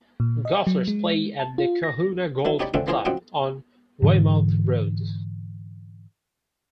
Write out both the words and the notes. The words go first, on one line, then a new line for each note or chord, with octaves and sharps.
Golfers play at the Cohuna Golf Club on Weymouth Road.
A#2
D#5
F#3
G#3
A5
F4
A#6
E3 F#3 E4
D#4 G4 C#5 D5 B5
C#2 D3 C4 C#4 E5 F#5
E3 F4 G#4 C5 A#5
F#2 F3 C4 D#5 F#5 G5
G#2 D3 E3